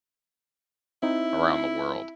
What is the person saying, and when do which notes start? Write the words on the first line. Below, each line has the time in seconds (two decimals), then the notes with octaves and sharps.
around the world.
1.03 C4 D#4 E4